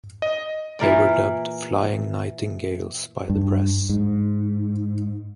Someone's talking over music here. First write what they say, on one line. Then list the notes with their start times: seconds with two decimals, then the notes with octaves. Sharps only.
They were dubbed Flying Nightingales by the press.
0.22 D#5
0.80 A#2 E3 A#4 D5
3.30 G2
3.89 G#2